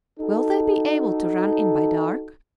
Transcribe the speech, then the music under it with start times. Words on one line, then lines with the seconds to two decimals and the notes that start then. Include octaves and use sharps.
"Will they be able to run in by dark?"
0.20 D#4 F#4 A4